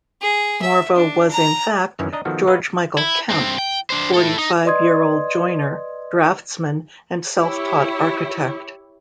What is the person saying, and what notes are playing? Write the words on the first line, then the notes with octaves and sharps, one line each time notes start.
Morvo was in fact George Meikle Kemp, forty-five-year-old joiner, draftsman, and self-taught architect.
G#4
E5
D4
A#5
F#2 D#3 E3 C#4 E4
D4 D#5 A#5
D#3 F3 B3 F#4 A4
F#4 B4 C#5 D#5 F5 F#5
E4
G2 C4
G5
D4 C5
E4 A4
D#4
B4 D5 D#5 C6 D#6 G#6
E4 G4 C#5